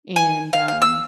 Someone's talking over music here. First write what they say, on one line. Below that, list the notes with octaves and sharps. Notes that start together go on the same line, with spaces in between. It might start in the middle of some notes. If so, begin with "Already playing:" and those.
and, um
G#5
F5
F5
E6